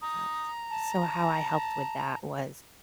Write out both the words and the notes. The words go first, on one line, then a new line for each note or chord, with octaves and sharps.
uh, s so how I helped with that was
A#5 D#6
A5
A5